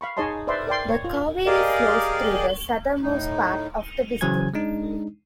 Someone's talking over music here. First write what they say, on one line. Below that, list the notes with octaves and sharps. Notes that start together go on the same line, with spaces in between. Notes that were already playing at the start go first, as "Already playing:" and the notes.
The Kaveri flows through the southernmost part of the District.
F5 B5 C#6
D#4 G#4 C#5 D#5 A5 C6
B4 C5 D5 E5 C6
A#4 D5 G5 C6
C#5
F4
G4 G#4 A#4 D5 D#5 F5
A2 D#4
C#3 E3 F#3 C5 G#5 G#6
G#3 D4 D#4